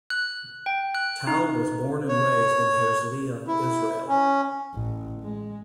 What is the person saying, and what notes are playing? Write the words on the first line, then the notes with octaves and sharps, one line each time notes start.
Tal was born and raised in Herzliya, Israel.
F#6
G5
F#6
D#4
C#5
E4
C#4
A1
G#3